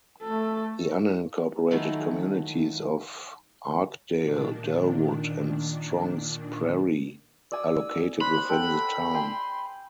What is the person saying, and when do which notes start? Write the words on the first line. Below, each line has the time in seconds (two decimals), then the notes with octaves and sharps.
The unincorporated communities of Arkdale, Dellwood, and Strongs Prairie are located within the town.
0.23 A3 A4
1.71 F2 D#3 E3 F#3 G#3 A3
4.22 A#2 D#3 D4
7.52 D5 G#5 D#6 E6
8.21 C5 B5 F#6
8.49 A4 F#5 G5
9.14 G5 G#5 C6